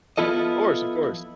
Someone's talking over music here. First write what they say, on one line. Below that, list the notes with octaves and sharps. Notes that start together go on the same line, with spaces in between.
Course, of course.
F3 B3 E4 F4 A4 D#5